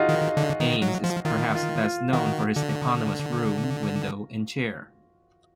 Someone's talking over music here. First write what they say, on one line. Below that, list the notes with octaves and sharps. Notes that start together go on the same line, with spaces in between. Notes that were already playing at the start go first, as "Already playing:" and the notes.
Ames is perhaps best known for his eponymous room, window, and chair.
Already playing: D#4 F4 F#4 G#4
D#3
D3
D#3
F#3
F3
D#3 F4
F4
F4
D#3 F#4
D3